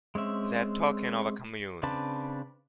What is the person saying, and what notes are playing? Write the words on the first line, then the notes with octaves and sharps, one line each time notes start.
They are talking of a Commune.
G#3 C4 C#4 E5
C#3 C4 D4 B4 A5